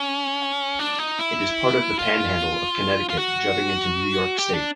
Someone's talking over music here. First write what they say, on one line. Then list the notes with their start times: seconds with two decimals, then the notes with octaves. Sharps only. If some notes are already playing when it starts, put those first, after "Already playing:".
It is part of the "panhandle" of Connecticut jutting into New York state.
Already playing: C#4
0.79 D4
0.99 D#4
1.19 E4
1.99 F4
3.10 F4
3.18 F#4
4.39 G4
4.54 D4